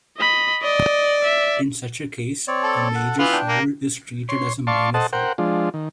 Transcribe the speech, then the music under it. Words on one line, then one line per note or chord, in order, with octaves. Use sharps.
In such a case, a major foul is treated as a minor foul.
D#5 B5
D5 D#5
E5
C4 C#5 D5
A4
F#5
E3 B3 F4
D4 G5
A#3
C#5 C6
D5 F5 A5 C6 C#6
A4 C5 D#5 F#5 A5
A#4 C5 F#5 G5
F3 G#3 D4 F4
D#3